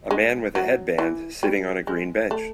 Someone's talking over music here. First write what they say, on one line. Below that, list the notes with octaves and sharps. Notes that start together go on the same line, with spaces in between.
A man with a headband sitting on a green bench.
G#3
F#3
E3
G3
G#3
A3